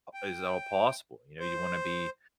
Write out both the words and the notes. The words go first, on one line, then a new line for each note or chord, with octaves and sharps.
at as all possible. You know, you wanna be
G5
C5